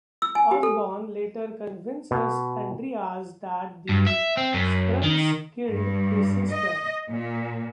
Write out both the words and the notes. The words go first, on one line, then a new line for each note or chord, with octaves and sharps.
Osborn later convinces Andreas that the Skrulls killed his sister.
E6
G#5
G4
A4
B2
G2
E5
C4
F#2
D#3
G2
D#5
A#2